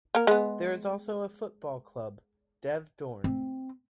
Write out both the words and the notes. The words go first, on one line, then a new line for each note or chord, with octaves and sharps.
There is also a football club, Dev Doorn.
A#3 A#4
G#3 B3
C4